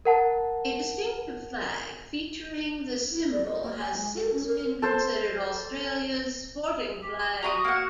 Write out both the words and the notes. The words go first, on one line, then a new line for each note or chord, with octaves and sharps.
A distinctive flag featuring the symbol has since been considered "Australia's sporting flag".
A#4 F#5 A5
E4
D5
D#5
A#3
G#5
G#3
A4
C#4
A#4
A4 C5
G4
F#4 A#5 B5 D#6
A#3 F#5